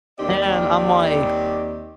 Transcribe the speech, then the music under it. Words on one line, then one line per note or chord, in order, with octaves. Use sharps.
And I'm, like
D#2 C4 G4 D5 D#5